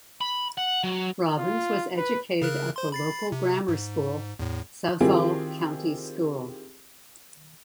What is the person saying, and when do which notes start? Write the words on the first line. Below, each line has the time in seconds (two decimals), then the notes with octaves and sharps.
Robbins was educated at the local grammar school, Southall county school.
0.21 B5
0.58 F#5
0.84 F#3
1.38 F4
1.97 B4
2.42 C#3 A#4 F#6
2.76 C5 C6
2.92 B5 A6 C7
3.32 C3
3.68 G#2
4.39 E2 A2
5.00 D#3 C4 E4 F4 G4 G#4